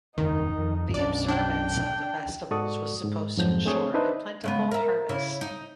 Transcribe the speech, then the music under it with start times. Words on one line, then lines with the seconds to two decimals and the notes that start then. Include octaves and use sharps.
The observance of the festivals was supposed to ensure a plentiful harvest.
0.18 F#1 E2 D3 D#3 D#4
0.58 F2
0.94 B1 F#2 C#4 D4 D5
1.28 D4 G5
2.51 G#2 F#4 A4 D5 C#6 D#6
3.04 G#2
3.37 F2 G#2 F3 F#3 G6
3.65 A3 C4 D4 G#4 C#5
3.94 D4 D#4 B4 C5 D#5 E5
4.44 C#3 G#3 B3
4.71 A#4 E5
5.09 C#3 E4
5.41 D#4